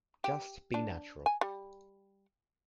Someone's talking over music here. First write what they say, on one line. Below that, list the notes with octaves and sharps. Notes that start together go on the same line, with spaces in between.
Just be natural.
G4
D4
G#5
G3